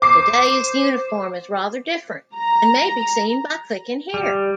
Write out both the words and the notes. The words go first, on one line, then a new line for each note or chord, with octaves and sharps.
Today's uniform is rather different and may be seen by clicking here.
C5 D6 C7
A#5
G3